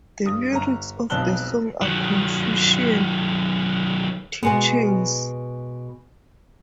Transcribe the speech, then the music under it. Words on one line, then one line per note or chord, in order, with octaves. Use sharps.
The lyrics of the song are Confucian teachings.
G2 D#6
G1 A#5
E1 B1 F2 A5 F#6 G7
D#3 F#3
B2 G#3 B3